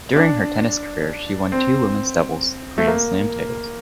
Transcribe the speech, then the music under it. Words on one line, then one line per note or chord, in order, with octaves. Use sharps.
During her tennis career, she won two women's doubles Grand Slam titles.
D4
C4
A3
A#3